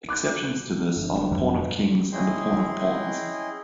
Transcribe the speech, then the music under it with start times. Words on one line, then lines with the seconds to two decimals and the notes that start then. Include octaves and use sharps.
Exceptions to this are the Pawn of Kings and Pawn of Pawns.
0.09 D6 F#6 G6
0.96 G1
1.32 F2 F#3 G3
2.12 C#4 E4 G#4 D#5 G5 C6